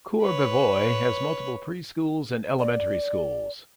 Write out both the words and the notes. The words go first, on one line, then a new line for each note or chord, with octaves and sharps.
Courbevoie has multiple preschools and elementary schools.
B4 C#5
D5